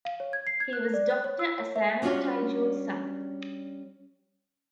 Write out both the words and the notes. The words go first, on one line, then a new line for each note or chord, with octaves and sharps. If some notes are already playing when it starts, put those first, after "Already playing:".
He was Doctor Asano Taijun's son.
F5
C#5
G#6
C7
G#6
F#6
D5
F#6
C#5
E6
C#5
E5
G3 C#4 D4 F4 F#4 C#5